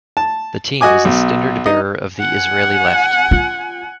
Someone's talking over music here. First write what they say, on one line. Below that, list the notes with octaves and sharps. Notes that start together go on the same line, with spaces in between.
The team is the standard-bearer of the Israeli left.
A5
F#4 D#5 G#5 D6
B1
D#4 D#5
F#5 G#5
F4